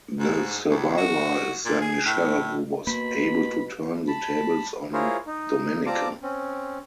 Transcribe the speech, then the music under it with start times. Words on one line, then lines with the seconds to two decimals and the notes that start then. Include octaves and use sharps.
The survivor is then Michele who was able to turn the tables on Domenica.
0.19 G#2
0.70 C#2
0.98 F#4
1.65 A#2
1.81 G#4
2.05 A2
2.87 B2 A#3 B5
4.08 A5 B5
4.93 E4 F4 G#4 A#4 C5 C#5
5.27 D#4
5.86 C4 F4 D5 A5 A#5 D6
6.23 C4 C#4